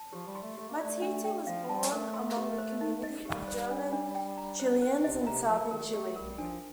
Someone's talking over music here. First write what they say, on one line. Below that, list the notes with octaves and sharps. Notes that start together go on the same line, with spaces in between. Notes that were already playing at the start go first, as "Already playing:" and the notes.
Matthei was born among a community of German Chileans in Southern Chile.
Already playing: A5
F3 G4
G3
C6
A3
A3 G4
A#3
A3 D5
D4
G5
F3 F5
G3 A5
A3 A#4
C6
G4
C5
D#4
D#5
G3 G4
C5
D4
D4
G5
A#5
C5
C5
C3 D#5
A#2
C3 A#5
F3 A#4
A3
D#3 A#4
A3
A3 G4
G3 A#4
F3 D4